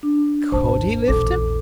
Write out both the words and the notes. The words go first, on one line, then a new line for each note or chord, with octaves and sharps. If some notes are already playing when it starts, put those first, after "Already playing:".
Could he lift him?
D4
G#1 D#2 C5 A5
A#1 E2 A4 D6